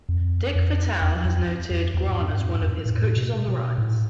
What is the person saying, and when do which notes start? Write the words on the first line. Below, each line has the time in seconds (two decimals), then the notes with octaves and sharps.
Dick Vitale has noted Grant as one of his "Coaches on the Rise".
0.09 F2
0.55 F2
1.02 E2
1.25 F2
1.47 F2
1.70 F2
1.94 E2
2.08 G#2
2.17 F2
2.30 G#2
2.40 F2
2.56 G#2
2.63 F2
2.86 A2
3.17 B2
3.48 B2
3.78 A2